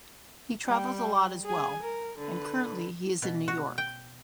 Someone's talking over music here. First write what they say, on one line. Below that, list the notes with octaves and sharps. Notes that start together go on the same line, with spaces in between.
He travels a lot as well, and currently, he is in New York.
G3 G5
G#4 G#5
A#4
D3 B4
B2
F#4
G5